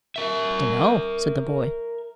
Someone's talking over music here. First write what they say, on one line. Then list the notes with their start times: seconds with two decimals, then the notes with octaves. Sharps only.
"Dunno," said the boy.
0.16 A#4 E5